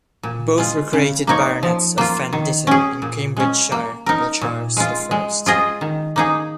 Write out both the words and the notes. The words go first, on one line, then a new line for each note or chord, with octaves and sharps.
Both were created baronets of Fen Ditton in Cambridgeshire by Charles the First.
A#2
G#3 F4
C#3
A#3 D#4 C#5
F3
A#3 F4
D#3
C#4 G#4
A#2
G#3 C#4
A#3
D#4 A#4
A#2
G#3 F4
G#3
F4 G#4 D#5
D#3
A#3 D#4 G#4